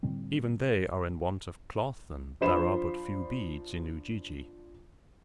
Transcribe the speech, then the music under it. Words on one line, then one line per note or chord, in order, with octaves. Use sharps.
Even they are in want of cloth, and there are but few beads in Ujiji.
A2 D3 G3 C4
F3 D4 F4 C5 B5 E7